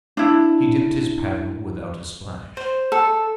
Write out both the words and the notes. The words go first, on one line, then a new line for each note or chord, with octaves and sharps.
He dipped his paddle without a splash.
D4 E4
C5
A4